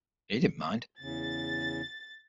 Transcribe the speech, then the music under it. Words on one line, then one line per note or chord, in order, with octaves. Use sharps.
He didn't mind.
E2 C#3 A6